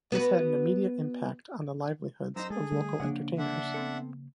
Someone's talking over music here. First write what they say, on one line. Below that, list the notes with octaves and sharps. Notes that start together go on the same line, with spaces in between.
This had an immediate impact on the livelihoods of local entertainers.
B3 F#4 B4
F#2 D#4 C5 A#5 E6
G#3 G#4 A4
D3 G3 A3
C#3 F3 A#3 D4 C#5 F#5
D3 D4 E5 F#5
B3 C4 A4